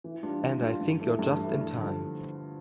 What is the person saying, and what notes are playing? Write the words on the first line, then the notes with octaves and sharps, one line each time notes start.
And I think you're just in time.
E3
G3 D4 F4
E3
G3 D4 F4
G2
E3 A3
G2
E3 A3
G2
D3 F3